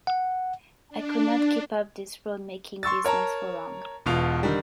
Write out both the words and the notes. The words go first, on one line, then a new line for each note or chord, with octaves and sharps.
I could not keep up this roadmaking business for long.
F#5
D4
C6 C#6 E6 A6
A#4 C#5 A5 A#5
E1 B2 F4 F7
D3 D#3 G3